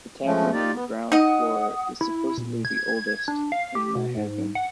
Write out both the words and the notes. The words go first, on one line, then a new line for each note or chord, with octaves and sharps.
The tavern in the ground floor is supposedly the oldest in Nyhavn.
F3 G#3 A3 C#4
D#4 F4 G4 D5
B3
D#4 D#5 F#5 D#6
E4
A#2
G#6
D4
F5
G4
B2
G#2
F#5